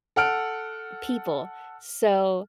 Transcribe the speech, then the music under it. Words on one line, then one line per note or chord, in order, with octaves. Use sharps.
people. So,
A4 F#5 F6 D7